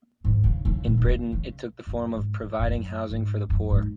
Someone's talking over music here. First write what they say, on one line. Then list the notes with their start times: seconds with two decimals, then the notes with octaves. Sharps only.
In Britain, it took the form of providing housing for the poor.
0.24 G#2
0.44 C#3
0.65 C#3
0.84 A#2
0.97 D#3
1.05 C#3
1.32 C#3
1.87 F#2
2.14 G#2
2.40 G#2
2.59 G#2
2.67 F#2
3.09 G#2
3.49 F#2
3.70 G#2